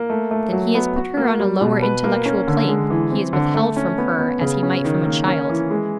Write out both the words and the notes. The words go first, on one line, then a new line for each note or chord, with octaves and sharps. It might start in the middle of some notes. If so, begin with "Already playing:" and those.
'Then he has put her on a lower intellectual plane; he has withheld from her, as he might from a child.'
Already playing: A#3
A3
A3
F#3
B3
F#4
A#3
G3
B2
B4
A#3
C#4
D3
G#3
E3
C4
D3
A3
C#4
B3
B3
C#3
C#4
D#3
A#3
C#4
E3
G#3